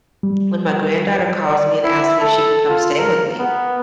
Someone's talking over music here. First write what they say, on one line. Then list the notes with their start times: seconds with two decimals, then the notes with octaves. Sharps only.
when my granddaughter calls me and asked me if she can come stay with me.
0.23 G3
1.47 D5
1.84 E4
2.20 A4
2.68 F4
2.98 A#4
3.39 B3